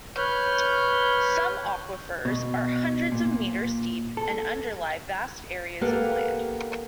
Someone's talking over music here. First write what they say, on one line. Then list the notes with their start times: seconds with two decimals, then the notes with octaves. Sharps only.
Some aquifers are hundreds of meters deep and underlie vast areas of land.
0.17 B4 C#5 F6 G6
2.25 B2
3.12 A#2
4.17 A4
5.81 A#3 B3 G4 A4 F5